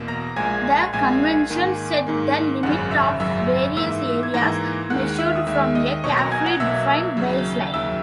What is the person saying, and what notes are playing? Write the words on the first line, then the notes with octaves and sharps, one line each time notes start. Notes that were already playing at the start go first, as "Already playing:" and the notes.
The convention set the limit of various areas, measured from a carefully defined baseline.
Already playing: E2 B2 A#3
A#5 A#6
A#1 A#2 G#3 G#5 G#6
A#1 A#2 G#3 G#5 G#6
G#2 D#3 A#3
G#2 D#3 A#3
G#1 F#2 C#3 F#3 F#5 F#6
E5 E6
G#1 F#2 C#3 F#3 E5 E6
G#2 E3 A#3 E5 E6
G#6
G#2 E3 A#3 A#5 A#6
D#2 D#3 G#3 F#5 F#6
E5 E6
D#6
D#2 D#3 G#3 E5 E6
D#5 D#6
B1 B2 A#3 C#5 C#6
A#5 A#6
G#5 G#6
F#5 F#6
B1 B2 A#3 E5 E6
D#2 C#3 F#3
D#2 C#3 F#3 E5 E6